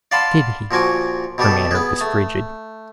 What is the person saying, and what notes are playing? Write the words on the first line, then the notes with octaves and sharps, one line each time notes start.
"Did he?" Her manner was frigid.
D5 F5 F#5 A5 B5 C6
A#2 F3 F#4 G#5 D6
B2 G3 G4 A4
B3 G#4
A3